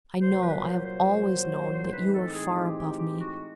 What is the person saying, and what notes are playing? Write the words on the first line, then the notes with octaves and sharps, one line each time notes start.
I know--I have always known--that you are far above me.
C2 A#2 F#3 C5
B4
C5
C5
A2 E3 G#3 C4 D#4 B4
A4
G#4
G4
G4
G4
F#4